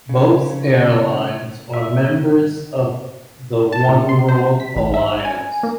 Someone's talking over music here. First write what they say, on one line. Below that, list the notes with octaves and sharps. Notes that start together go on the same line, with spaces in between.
Both airlines are members of the Oneworld alliance.
C#3
E5
A5
A#2
C6
C5
B6
A1
E5
G#5
A#3